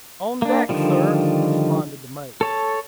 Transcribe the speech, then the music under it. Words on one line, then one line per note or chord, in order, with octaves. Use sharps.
"On deck, sir," responded the mate.
A#3 D4
D3 D#3 F3 G3
A4 C#5 A5